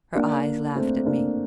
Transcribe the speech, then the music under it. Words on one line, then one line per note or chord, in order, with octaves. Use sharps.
Her eyes laughed at me.
A#3 D4
A3 C4
A#3 D4